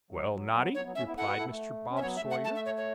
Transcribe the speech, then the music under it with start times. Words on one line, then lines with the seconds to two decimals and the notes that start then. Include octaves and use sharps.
'Well, Noddy,' replied Mr. Bob Sawyer.
0.11 F#3
0.33 F#3
0.54 F#3 B3
0.75 F#3 B3 C#5
0.85 F#3 B3
0.95 A3 C#4 E5
1.07 B3 E4
1.17 E4 A4 F#5
1.27 F#4 B4
1.38 E4 A4
1.49 A3
1.91 C#4
1.96 E5
2.01 F#3 B3 C#5
2.16 E5
2.23 A3
2.30 F#5
2.45 A5
2.55 E5
2.65 C#5
2.77 C#5